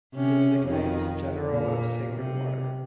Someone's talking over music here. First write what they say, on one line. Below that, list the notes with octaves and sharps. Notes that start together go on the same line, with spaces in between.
He is nicknamed "General of Sacred Water".
C3 C#4
F2 D#3
A#2
C3